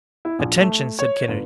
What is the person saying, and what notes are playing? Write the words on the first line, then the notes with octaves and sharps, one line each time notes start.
"Attention!" said Kennedy.
E4
A#1
A3
C#5
G1